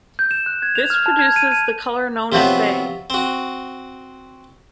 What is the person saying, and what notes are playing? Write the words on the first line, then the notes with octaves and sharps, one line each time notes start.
This produces the color known as bay.
G6
E7
F#6
G#6
F7
F6
A5
G#6
D#7
D#7
C3 F3 F#3 B3
C4 F#4